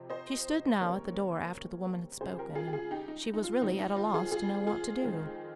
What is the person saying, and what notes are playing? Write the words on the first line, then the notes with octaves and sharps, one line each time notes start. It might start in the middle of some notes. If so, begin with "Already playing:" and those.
She stood now at the door after the woman had spoken, and she was really at a loss to know what to do.
Already playing: F2 C3 C4
C5 D#5
D#2 C#3 G3 C4 A#4 C#5
C#2 C#3 G3 G#4 C5
G4 A#4
F4 G#4
G4
F4 G#4
D#4 G4
D#4
D#4
F4
F2 D#3 G#3 C4 D#4
D#4
F4
F4 G#4
F4 G#4
F4 G#4
F2 D#3 G#3 C4